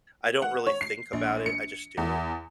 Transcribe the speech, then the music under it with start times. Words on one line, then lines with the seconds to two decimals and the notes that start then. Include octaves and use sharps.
I don't really think about it, I just do it.
0.42 F#5
0.66 C#5
0.81 C7
1.13 A#1
1.46 C#7
1.97 E2